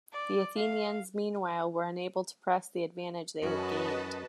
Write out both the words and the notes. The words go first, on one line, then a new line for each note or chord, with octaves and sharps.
The Athenians, meanwhile, were unable to press the advantage they had gained.
D5
F5
F#2 C#4 F#4 B4 D#5 A5